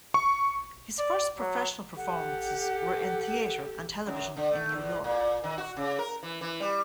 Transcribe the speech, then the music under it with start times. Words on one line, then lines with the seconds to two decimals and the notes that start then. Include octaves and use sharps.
His first professional performances were in theater and television in New York.
0.14 C#6
0.99 D5
1.38 F#3
1.97 G4 A4 F#5
4.06 F#2
4.36 D3
4.51 A3
4.72 E2
5.04 A#2
5.44 D#3
5.58 F#4
5.77 C#3
5.99 A#4
6.23 E3
6.41 E3
6.60 G3